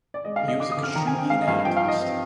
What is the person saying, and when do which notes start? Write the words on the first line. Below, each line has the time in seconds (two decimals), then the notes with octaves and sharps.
He was a Kashubian activist.
0.14 D5
0.25 G#3 D#5
0.36 F5
0.43 D3
0.48 D#5
0.60 D4 D6
0.72 D#6
0.77 D3
0.83 F6
0.96 D#3 A#5
1.07 G#5
1.13 C4
1.19 G5
1.30 G#3 F5
1.42 D#5
1.48 G2 F5
1.65 F3 G5
1.77 F5
1.83 D#4
1.88 D#5
2.00 C4